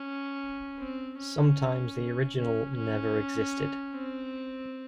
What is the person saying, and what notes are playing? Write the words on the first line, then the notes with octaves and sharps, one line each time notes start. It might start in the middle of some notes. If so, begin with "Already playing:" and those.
Sometimes the original never existed.
Already playing: C#4
C4
C#4
C#4
C#4
C4